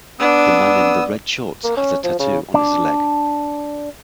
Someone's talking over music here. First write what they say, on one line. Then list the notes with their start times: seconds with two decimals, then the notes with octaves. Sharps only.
The man in the red shorts has a tattoo on his leg.
0.20 B3 D4 D#6 E6
1.64 A#3
1.77 C#4
2.03 F3
2.20 C#3
2.54 D4